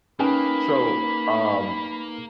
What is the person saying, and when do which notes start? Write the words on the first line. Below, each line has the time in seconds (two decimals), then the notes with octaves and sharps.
So, uh, um,
0.20 A#3 C#4 D#4 G#4 B4 G5 A5 B5